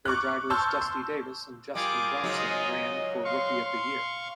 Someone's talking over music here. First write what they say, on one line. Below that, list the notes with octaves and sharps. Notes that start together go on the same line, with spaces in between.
Their drivers Dusty Davis and Justin Johnson ran for Rookie of the Year.
C#6 D6 F6 F#6
A5 C6 C#6 E6 F6 G6
C6
G3 F4 G#4 A#4 D6
G#2 C#3 F#3 D#5
F5 C6 C#6
C6